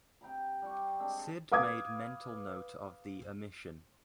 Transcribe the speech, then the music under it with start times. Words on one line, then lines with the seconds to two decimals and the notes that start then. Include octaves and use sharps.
Sid made mental note of the omission.
0.21 C3 G5 A#5 B5
0.62 G3 G4 C#6
0.99 G#3 C4 D4 D#4
1.52 B4 F5 D6 D#6 G#6